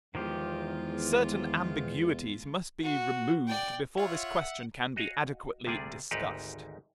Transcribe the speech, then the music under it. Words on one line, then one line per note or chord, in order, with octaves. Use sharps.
Certain ambiguities must be removed before this question can be adequately discussed.
E2 D#3 F3 G#3 F4 G4
F#4
D5 G5
F4 C#5 E5 F#5
F#4 D#5 F5 F#5 G#5
D2 C3 G3 G#4 D5
G#1 D2 G#2 D#4 G4 B4